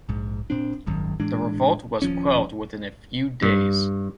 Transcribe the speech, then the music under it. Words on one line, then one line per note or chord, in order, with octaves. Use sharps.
The revolt was quelled within a few days.
A#1 G#2
A#2 C4 D4
D#1 G#1 F#2 D#3
A2 E3 G#3 D4
D#1 F3 C#4
G2